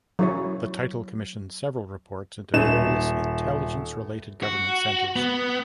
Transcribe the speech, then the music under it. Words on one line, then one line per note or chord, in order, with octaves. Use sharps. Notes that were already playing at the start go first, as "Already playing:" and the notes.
The title commissioned several reports into various intelligence-related government centers.
F#3 E4 C#5
D#1 E7
F#4
B3